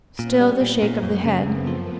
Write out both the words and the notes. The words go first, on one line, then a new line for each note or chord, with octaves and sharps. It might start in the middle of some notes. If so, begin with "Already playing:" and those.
Still the shake of the head.
A#2 B3 C#4
G3
A#2 A#3 C4
A#2
F#2
C#3
F#2 A3 B3
F3